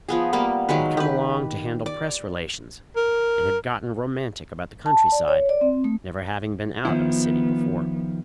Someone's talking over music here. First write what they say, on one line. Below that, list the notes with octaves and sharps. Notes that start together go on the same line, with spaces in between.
He'd come along to handle press relations and had gotten romantic about the countryside, never having been out of a city before.
F3 B3 G#4
G3 A#3 B3
D#3 F#3 G#3 B4
G4 B4
D5
A#4
A5
D5
C#5
D5
C4
A3
D#3 F3 B3 E4